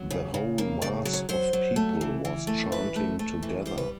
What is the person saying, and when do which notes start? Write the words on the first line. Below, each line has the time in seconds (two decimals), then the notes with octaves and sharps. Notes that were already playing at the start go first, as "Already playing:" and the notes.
The whole mass of people was chanting together.
Already playing: F#3
0.10 C#3
0.34 C#3
0.58 A#3
0.82 C#3 D5
1.05 F#3
1.13 C#5
1.29 F#3 C5
1.53 F#3
1.76 A3
2.01 E3
2.25 E3
2.47 A3
2.72 E3 B4
2.96 A3
3.19 A3
3.43 E3
3.66 G3 C5
3.78 B4